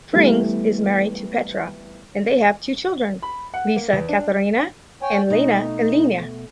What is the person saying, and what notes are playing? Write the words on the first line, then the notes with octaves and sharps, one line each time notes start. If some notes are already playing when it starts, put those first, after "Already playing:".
Frings is married to Petra and they have two children, Lisa-Katharina and Lena Alina.
E3 G3 A3 B3
B5
F#5
A#3
E2
D4
C#5 G5 G#5
B2 A3 D#4